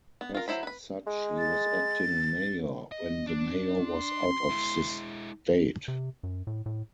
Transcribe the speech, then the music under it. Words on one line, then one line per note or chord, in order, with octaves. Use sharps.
As such he was acting mayor when the mayor was out of the state.
B3
F4 A#4
F#3 D#4 E4 C5 B5
B4 B5
G#3
A6
D#5
D4
C6
G#3 E4
C3
F#2
A2
A2